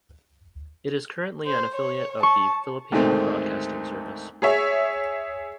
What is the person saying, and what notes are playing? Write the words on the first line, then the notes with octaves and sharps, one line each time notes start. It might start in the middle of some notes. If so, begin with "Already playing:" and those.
It is currently an affiliate of the Philippine Broadcasting Service.
C5
C#5
A5 C#6
D2 G#2 D#3 A3 C4
G#4 C#5 E5